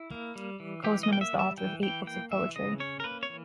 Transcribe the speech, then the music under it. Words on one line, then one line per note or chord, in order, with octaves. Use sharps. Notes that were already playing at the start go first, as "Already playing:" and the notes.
Kosman is the author of eight books of poetry.
Already playing: E4
A#3
G3
E3
E3 G4
D#5
A#3 G5
E5
G3
E5
E3 G5
E3 G5
A#3 G5
E3 E5
C#3 D#5
C#4 C#5
A#4
A#3 B4
C#5
E3